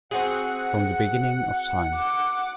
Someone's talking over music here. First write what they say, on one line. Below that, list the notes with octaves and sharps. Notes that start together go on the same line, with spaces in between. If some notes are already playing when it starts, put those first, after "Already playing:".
From the beginning of time.
C4 F#4 G#4 F#5
D6